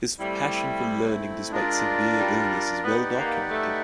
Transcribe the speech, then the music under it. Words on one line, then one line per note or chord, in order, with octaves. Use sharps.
His passion for learning despite severe illness is well documented.
G3 A3 C4 E4
G#3 D4 F4 A#4 D5
G3
B3 D#4 G4 B4 D5 F#5
A#3
A3